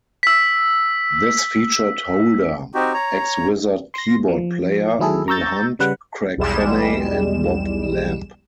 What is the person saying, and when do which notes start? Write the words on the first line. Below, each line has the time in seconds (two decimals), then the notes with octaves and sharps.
This featured Holder, ex-Wizzard keyboard player, Bill Hunt, Craig Fenney and Bob Lamb.
0.23 E6 B6
2.75 C4 D#4 F#4 G4
2.94 C#5 A#5
3.94 C6 A#6
4.28 F3
4.99 D#3 F#3 E4 G#4 A4
5.28 A#5 C#6 E6 G6 A6
5.79 C#3 G3 B4 F#5
6.37 B1 E2 G3 G#3 E7